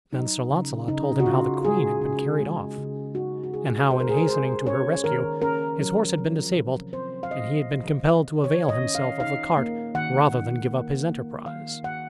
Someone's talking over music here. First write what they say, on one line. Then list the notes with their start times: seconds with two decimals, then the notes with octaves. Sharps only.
Then Sir Launcelot told him how the queen had been carried off, and how, in hastening to her rescue, his horse had been disabled and he had been compelled to avail himself of the cart rather than give up his enterprise.
0.13 F#3 D#4
0.50 C#3
0.88 C#3 D#4
1.20 F#4
1.26 C#3 F4
1.65 G#3 G#4
2.02 C#3
2.40 G#3
2.78 C#3
3.15 D#4 F#4
3.44 F#4
3.53 G#3 G#4
3.91 G#3 C5
4.00 A#4
4.09 G#4
4.17 A#4
4.28 G#3 C5
4.66 C#4 C#5
5.04 D#3 A#4
5.42 C#4 A#4
5.80 F#3
6.18 F3
6.55 C3
6.93 C4 C5
7.23 F5
7.31 C4 D#5
7.69 D#3
8.07 D#3
8.44 D#3 C#5
8.69 D#5
8.82 C#4
8.95 F5
9.20 D#4 F5
9.57 A#3
9.95 D#3 F#5
10.33 D#4
10.71 A#3
11.09 A#3
11.46 D#3 F5
11.83 D#3 F#5